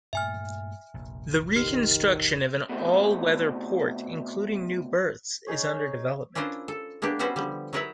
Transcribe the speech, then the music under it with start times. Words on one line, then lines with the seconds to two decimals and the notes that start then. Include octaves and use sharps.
The reconstruction of an all weather port including new berths is under development.
0.13 G2 A#2 A3 E5 G#5 F6
0.94 F1 A#1
1.56 D#3 G4 F6 C7
2.69 B2 A3 C4
5.47 C#4 D#4 G#4 C#5
6.35 C#4 D4 E4 F4 A#4 C5
6.68 A4
7.02 G#3 A#3 B3 D4 G4
7.19 G3 B3 C#4 F#4 C5 E5
7.36 D3 F3 G3
7.73 F#3 D#4 A#4 B4 C#5 E5